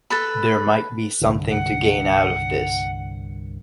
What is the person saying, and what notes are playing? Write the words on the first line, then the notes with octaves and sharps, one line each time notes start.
There might be something to gain out of this.
A4 B4 B5
C2 G2 D3
F#5